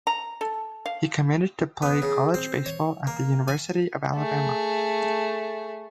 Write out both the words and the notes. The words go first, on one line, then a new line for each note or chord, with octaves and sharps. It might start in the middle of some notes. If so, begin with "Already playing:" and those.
He committed to play college baseball at the University of Alabama.
A#5
A4
F5
B3
C#3
C4
C#5
A#3
G#5
A3 G#4